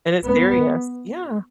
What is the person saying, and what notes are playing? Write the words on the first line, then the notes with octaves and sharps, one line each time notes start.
And it's serious Yeah.
B3